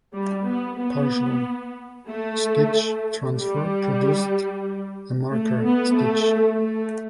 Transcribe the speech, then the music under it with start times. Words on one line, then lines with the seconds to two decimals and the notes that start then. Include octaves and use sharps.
Partial stitch transfer produced a marker stitch.
0.13 G3
0.45 B3
0.77 B3
2.07 A3
3.36 G3
5.31 A3
5.63 B3
5.95 A3
6.60 A3